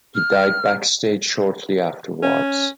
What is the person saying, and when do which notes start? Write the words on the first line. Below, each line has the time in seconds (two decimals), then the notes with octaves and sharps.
He died backstage shortly afterwards.
0.15 F6
2.23 C#4